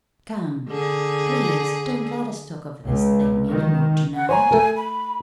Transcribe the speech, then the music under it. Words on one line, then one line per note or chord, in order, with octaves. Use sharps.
Come, please don't let us talk of this thing any more to-night.
D3 G#4
C#2
D#3
F#5
C5 C#5 G#5 A#5
A3 A#4
B5